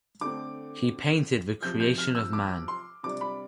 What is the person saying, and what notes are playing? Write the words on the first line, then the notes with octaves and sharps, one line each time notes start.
He painted the Creation of Man.
D3 A3 C4 D6
F2 C3 F3 G6
G6
F6
E6
D6
C6
C3 G3 D4 D6
B5